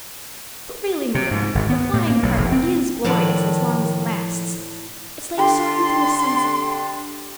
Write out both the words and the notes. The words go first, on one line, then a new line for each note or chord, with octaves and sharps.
But really, Marilla, the flying part IS glorious as long as it lasts . . . it's like soaring through a sunset.
C3
G#2
G#1
B3
A2
A#3
B1
F1
C4
A2 D#3 F3 D4 D5 F#5
D3 D4 G4 C6